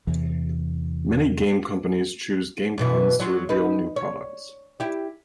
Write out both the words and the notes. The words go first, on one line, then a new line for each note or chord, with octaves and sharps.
Many game companies choose game cons to reveal new products.
E2 C3 E3
F#2 B2 E3
F#3 F4
D#4 B4
C#5
E4 G4